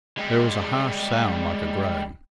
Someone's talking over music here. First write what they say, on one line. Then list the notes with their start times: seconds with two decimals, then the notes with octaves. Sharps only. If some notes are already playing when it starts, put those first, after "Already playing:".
There was a harsh sound like a groan.
0.18 G3 G#3